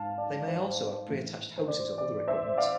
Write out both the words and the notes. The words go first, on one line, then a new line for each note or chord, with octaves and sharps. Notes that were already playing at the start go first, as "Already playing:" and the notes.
They may also have pre-attached hoses or other equipment.
Already playing: G#2 F5 A5
D5
C5
A2 E3 A3
C5
D5
D5
C5 E5
D5 F5